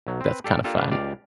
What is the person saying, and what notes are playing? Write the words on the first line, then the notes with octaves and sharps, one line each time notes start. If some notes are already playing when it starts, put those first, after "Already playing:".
that's kind of fun
B1 F#3
C4 B4
G4 A4 D5 F5 G5
A#3 D4 F4 G4 A4
C#3 D4 B4 F5
C#2 G4 D5 F5